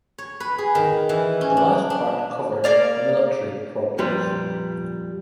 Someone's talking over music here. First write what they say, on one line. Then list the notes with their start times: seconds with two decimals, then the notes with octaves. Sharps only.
The last part covered military problems.
0.18 C#5
0.40 B4
0.58 G#4
0.75 D#3
1.09 E3
1.41 C#4
1.57 D4
1.90 D4
2.64 A#3 D5 F5
3.98 F2 A#2 G3 B4 A#5 C6